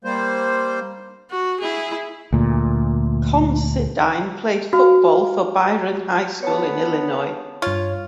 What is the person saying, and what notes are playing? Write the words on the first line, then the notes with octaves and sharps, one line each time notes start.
Considine played football for Byron High School in Illinois.
G3 A#3 C5
F#4
E4 G#4
D2 A#2
F#4 F5
B3 C#5 A5
G2 F4 C#5